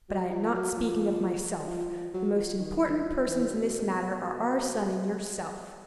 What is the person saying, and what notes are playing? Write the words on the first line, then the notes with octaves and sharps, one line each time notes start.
But I am not speaking of myself; the most important persons in this matter are our son and yourself.
F#3
F3
F#3
F3
F3
F3
F#3
F3
D#3
E3
F3
E3
B2